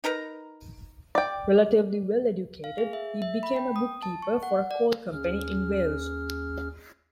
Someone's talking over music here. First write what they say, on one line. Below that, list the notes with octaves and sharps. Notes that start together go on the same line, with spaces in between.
Relatively well-educated, he became a bookkeeper for a coal company in Wales.
D#4 A#4 B4 A#5
D5 G5
F5
G#4
E5
E5
B5
G5
D#6
A5
C#6
F#5
D5
D#2 C#4 G#4 F6